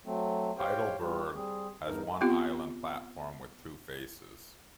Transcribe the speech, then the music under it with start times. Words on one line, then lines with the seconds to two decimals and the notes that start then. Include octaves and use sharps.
Heidelberg has one island platform with two faces.
0.06 F#3 A3 C4
0.58 G4 C5 C#5 F5 G5
1.00 G3 C4 F4
1.34 G3 C4 G#4
1.85 E2 G2 D#4 A#4
2.21 B3 C4 F4 G4